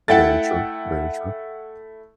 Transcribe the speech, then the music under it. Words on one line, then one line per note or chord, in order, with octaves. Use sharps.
Very true. Very true.
A3 E4 F#5 G5 A6